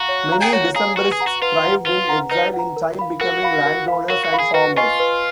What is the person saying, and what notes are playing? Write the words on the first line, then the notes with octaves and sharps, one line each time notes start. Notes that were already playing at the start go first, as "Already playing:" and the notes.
Many Decembrists thrived in exile, in time becoming landowners and farmers.
Already playing: F#4 F5 A#5
C#5
F5 A#5
G#4
F#4 C#5
G#4 F5 A#5
F#4 B4
G#4
F#5 A#5
F#4
F4 B4
F#5 A#5
F4 B4
F#5 A#5
D#4 B4
F#5 A#5
A#4
F5 B5
F#4 A#4
F5 B5
A#4
F5 B5
F#4 A#4
F#4
F5 B5
G#4
F#4 B4
F4 D#5 G#5 C#6
B4